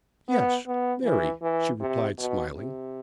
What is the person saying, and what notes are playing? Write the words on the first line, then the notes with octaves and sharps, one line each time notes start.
"Yes--very," she replied, smiling.
B3
B3
E3
E3
C3
B2
C3